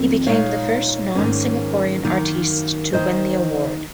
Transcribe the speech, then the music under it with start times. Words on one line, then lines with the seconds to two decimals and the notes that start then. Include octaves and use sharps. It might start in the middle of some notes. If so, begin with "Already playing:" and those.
He became the first non-Singaporean artiste to win the award.
Already playing: F2 D#3 C4
0.26 A#2 G#3 D#4 C#5 F5
1.15 G#2 D#3 A#3 C#4
2.04 F#2 D#3 A#3
2.93 D#2 D#3 F#3 A#3 C5 D#5